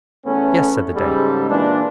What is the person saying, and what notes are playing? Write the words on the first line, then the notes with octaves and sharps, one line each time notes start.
"Yes," said the dame.
E2 A3 B3 C#4
G#2 C#3 G3 G#3 A4
A#2 E3 D4